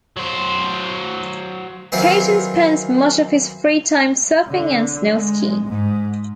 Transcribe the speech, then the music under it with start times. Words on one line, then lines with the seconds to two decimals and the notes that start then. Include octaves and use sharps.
Caton spends much of his free time surfing and snow skiing.
0.17 F#3 C5
1.92 D#3 E3 F#3 C4 F4 A#4
4.49 D3
5.11 G#3
5.67 G#2